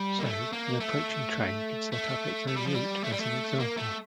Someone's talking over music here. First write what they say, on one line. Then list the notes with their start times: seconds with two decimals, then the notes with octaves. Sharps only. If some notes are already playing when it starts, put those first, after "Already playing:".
So, an approaching train could set up its own route, as an example.
Already playing: G3
0.19 A#3
0.24 A3
0.53 A#3
0.80 A3
1.92 A3
2.48 A3
2.56 G3
2.65 F3
2.74 G3
3.03 A3
3.12 G3
3.20 A3
3.59 A#3
3.77 A3